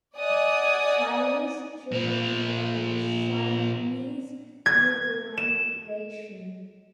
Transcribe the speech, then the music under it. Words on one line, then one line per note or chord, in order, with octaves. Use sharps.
Chinese should not be learning Chinese through Romanization.
D5 D#5 F#5 G#5 D#6
A#2 F3
G#6
E7